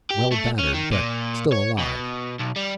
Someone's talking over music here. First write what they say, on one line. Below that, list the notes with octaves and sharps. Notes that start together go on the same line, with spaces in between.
Well battered, but still alive.
G4
A3
C#4
D#3
A#2
C#5
B2
B1
G3